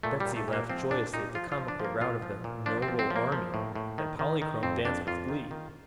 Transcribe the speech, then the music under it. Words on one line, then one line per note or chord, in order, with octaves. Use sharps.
Betsy laughed joyously at the comical rout of the "noble army," and Polychrome danced with glee.
A#2 A3
G3
A#2
A3
A#2 A#3
F3 C4
A#2 D4
A#2 D#4
F3 F4
F4
F3
D4
F3
A#3
A#2 F4
F3
A#2
F3 D4
C4
F3
C4
F3
A#3
F3
A2
A2
D#3
D#3
D#3
F2 C4
F2 D4
F2 F4
D#3
D#3